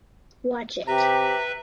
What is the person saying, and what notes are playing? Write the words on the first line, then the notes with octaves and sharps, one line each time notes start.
Watch it.
C3 G4 B4 E5 A#5